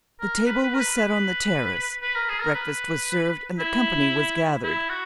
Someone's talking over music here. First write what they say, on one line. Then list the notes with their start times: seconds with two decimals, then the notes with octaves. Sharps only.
The table was set on the terrace; breakfast was served and the company was gathered.
0.20 A#4
0.46 B4
0.63 B4
0.74 A#4
0.80 B4
0.97 B4
2.03 B4
2.15 A#4
2.29 G#4
2.41 A#4
2.54 B4
3.59 E4
4.63 E4
4.89 F#4